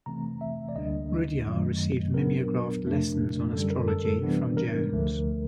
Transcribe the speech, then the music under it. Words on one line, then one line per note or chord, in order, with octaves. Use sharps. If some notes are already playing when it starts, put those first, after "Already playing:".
Rudhyar received mimeographed lessons on astrology from Jones.
C3 E3 A3 C4 A#5
E5
D5
D2 D3 G3 A#3 D4 D#5
F#2 D#3 F#3 A3
A#2 F#3 B3 D4 A#4
F2 C3 F3 A3 D4
F#2 D3 G3 A4
A#4
A4
A4
C3 E3 G3 B3 D4
A#4
D2 D3 F3 A3